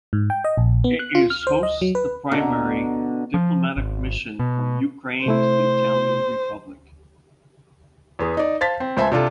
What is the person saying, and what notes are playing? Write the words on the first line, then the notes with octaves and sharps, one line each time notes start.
It is hosts the primary diplomatic mission from Ukraine to the Italian Republic.
G#2
G5
D#5
A#1
B3
F#6
F4
F6
C5
D#5
F#3
B4
B2 D3 A#5
F3
G#1
B2
C3 A3 E4 C5
E2 B3 G#4
D#4 D5
C5 F5 A5 A6 B6
C4
C#2 C5 E5 G#5 A5
C3 D4 F4 A4